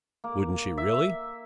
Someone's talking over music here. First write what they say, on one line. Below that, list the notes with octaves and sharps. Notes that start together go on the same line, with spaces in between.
"Wouldn't she really?"
A#3
E5